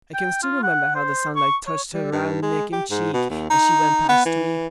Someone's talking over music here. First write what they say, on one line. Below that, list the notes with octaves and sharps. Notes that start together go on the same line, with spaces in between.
I can still remember how the sunlight touched her round neck and cheek as she went past me.
G5
F4
F#5
C5
C#6
C#5
G3
G2
G#3
G4
G#2
B2
D#2
D#4
B3
E3